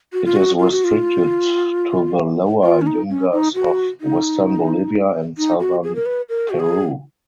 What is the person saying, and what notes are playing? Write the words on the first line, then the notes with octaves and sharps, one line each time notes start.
It is restricted to the lower Yungas of western Bolivia and southern Peru.
F#4
F4
F#4
F4
F#4
F4
F4
C#4
D#4
C#4
D#4
F#4
D#4
D#4
F#4
G#4
A#4
B4
A#4
F#4
G#4